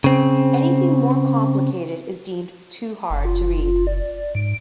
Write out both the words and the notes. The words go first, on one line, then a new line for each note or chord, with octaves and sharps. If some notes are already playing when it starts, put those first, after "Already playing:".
Anything more complicated is deemed 'too hard to read.
C#3 C4
F#1
F4
D5
G#2 D7